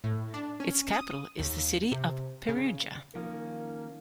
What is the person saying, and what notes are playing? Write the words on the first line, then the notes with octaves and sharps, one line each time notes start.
Its capital is the city of Perugia.
A2
D4
C#4
D#6
D#2
C3
C#3
D#3 F3 A#3 C#4 A#4